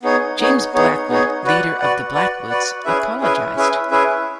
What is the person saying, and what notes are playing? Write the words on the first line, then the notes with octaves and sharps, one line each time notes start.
James Blackwood, leader of the Blackwoods, apologized.
B3 D#4 G#4 C#5
B3 D#4 G#4 C#5
B3 D#4 G#4 C#5
B3 D#4 G#4 C#5
F#4 B4 D5 F#5
F#4 B4 D5 F#5
F#4 B4 D5 F#5
F#4 B4 D5 F#5
C#4 E4 G#4 B4 E5
C#4 E4 G#4 B4 E5
C#4 E4 G#4 B4 E5
C#4 E4 G#4 B4 E5